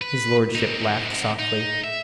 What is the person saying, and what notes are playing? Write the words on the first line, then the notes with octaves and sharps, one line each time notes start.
His lordship laughed softly.
B4
C4 D#4
D#4
E5